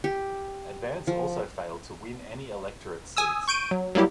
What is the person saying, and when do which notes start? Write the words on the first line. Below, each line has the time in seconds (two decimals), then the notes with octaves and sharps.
Advance also failed to win any electorate seats.
0.04 G4
1.07 F3
3.17 G#5 D#6 E6
3.48 C#6 G6 D7 D#7
3.71 F#3
3.95 F#3 G3 A#3 E4 G4